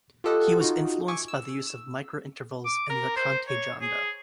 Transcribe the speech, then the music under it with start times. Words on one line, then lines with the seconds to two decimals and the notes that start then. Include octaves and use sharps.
He was influenced by the use of microintervals in the "cante jondo".
0.24 F4 G4 A4 D#5 F#5
0.61 D#4 F4 F#4
1.08 E5 G#5 C#6 D6
1.28 E6
1.67 E6
2.65 D6
2.90 A#4
3.16 C5
3.48 C#5
3.81 G#4